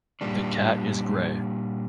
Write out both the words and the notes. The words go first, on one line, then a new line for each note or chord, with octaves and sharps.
The cat is grey.
A#2 G3 D4